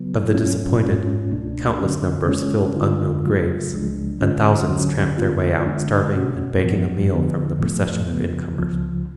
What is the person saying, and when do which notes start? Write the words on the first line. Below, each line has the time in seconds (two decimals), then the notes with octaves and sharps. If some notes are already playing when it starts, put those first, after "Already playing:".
Of the disappointed, countless numbers filled unknown graves, and thousands tramped their way out starving and begging a meal from the procession of incomers.
Already playing: C#3 F#3 B3
0.34 G#2 F#3 C#4 F4
0.82 G#2 G#3 C#4 F4
1.31 C#2 B2 A3 D4
1.79 D3 F#3 C#4 F#4
2.27 C#3 G#3 C#4 F4
2.75 D3 G#3 D4 F4
3.25 C#3 F#3 A3 F4
3.72 C#2 C#3 F3 G#3 D4
4.21 D3 G#3 C#4 F4
4.69 D2 D3 F#3 C#4 F#4
5.17 D3 G#3 B3 F4
5.66 F#2 D3 G#3 D4
6.14 B2 A3 C#4 F#4
6.63 A2 F3 B3 F#4
7.11 F2 D3 F3 B3 D4
7.59 A2 F3 A3
8.08 C#3 F3 B3
8.56 C#2 C#3 F3